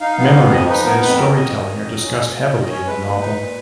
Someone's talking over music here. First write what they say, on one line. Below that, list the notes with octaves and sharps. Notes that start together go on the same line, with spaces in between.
Memories and storytelling are discussed heavily in the novel.
D#4 F5
B3 F5
F2 F5
F3 D#5
D#4 B4
B3 A#4
F2 B4
F#3 A#4
F2 D#5
D#3
F2
F#3
C#4
G#3
F#2
D#3
D#5
C#4 C#5
G#3 B4
A#2
D#4
A#2